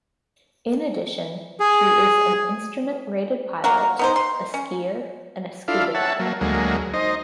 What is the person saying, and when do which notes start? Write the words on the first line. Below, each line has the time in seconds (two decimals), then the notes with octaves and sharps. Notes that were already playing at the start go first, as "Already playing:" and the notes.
In addition, she is an instrument-rated pilot, a skier, and a scuba diver.
1.60 G#4
3.64 F#3 A#3 F#4
3.99 B3 D#4 C5
4.16 C6
4.54 C#4
5.68 D4 E4 F4 A4 F5
5.95 C#5 E5 F#5 A5
6.20 F#3 A#3
6.41 D2 F#3 G#3 A#3
6.94 D#4 C5 D#5